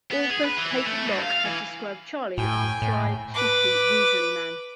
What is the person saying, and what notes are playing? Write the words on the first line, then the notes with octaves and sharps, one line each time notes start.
Author Kate Lock has described Charlie as a "sly, shifty, weaselly man".
B3
G#4
B4
E3
E3
A3
G2
F5
E3
A2 G5 G#5
A2
B4 D6